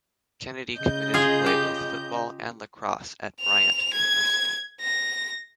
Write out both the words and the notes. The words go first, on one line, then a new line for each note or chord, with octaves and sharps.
Kennedy committed to play both football and lacrosse at Bryant University.
C#3 D#5 G6
F4 G#4
G4
F7
G#6
A#6